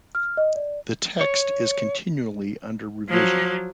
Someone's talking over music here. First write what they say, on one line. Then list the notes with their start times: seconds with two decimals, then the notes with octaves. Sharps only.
The text is continually under revision.
0.15 F6
0.37 D#5
0.56 D5
1.21 C#5
3.09 F3 F#3